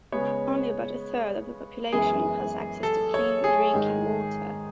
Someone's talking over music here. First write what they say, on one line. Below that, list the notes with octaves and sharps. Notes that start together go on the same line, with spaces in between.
Only about a third of the population has access to clean drinking water.
C#3 G#3 B3 C#5
F#2 E3 G#3 B3 G#4
A4
C#5
G#4
G#2 D#3 G#3